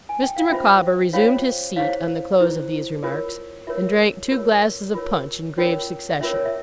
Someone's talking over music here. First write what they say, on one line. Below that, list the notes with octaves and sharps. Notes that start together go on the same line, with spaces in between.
Mr. Micawber resumed his seat on the close of these remarks, and drank two glasses of punch in grave succession.
G#5
G5
F5
C#4 F4 C5 E5
C#4 F4 C5 C#5 F5
E4 G#4 C5 C#5 F5
E4 G#4 C5
F4 A#4 C#5
F4 A#4 C#5 E5
F4 A#4 C#5
F4 A#4 C#5
C#4 F4 A#4 C#5
C#4 F4 A#4 C#5 E5
C#5
E5